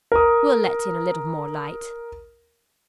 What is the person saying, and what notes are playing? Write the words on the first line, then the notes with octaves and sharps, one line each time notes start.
We'll let in a little more light.
A#4 D#6